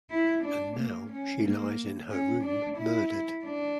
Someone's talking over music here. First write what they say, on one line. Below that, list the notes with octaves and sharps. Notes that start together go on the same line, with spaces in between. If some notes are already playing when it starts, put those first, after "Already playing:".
And now she lies in her room murdered!
E4
D4
A#3
C#4
A#3
C#4
D4
E4
D4